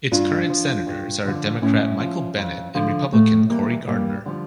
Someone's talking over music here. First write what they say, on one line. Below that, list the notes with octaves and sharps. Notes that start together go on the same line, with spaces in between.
Its current senators are Democrat Michael Bennet and Republican Cory Gardner.
G2 D4 F4
F3
G2
D3 F3
A2 C#4 E4
F3
F2
D3 F3
A2 A3
E3 G3 A#3
G2 G3 A#3
D3 F3 G3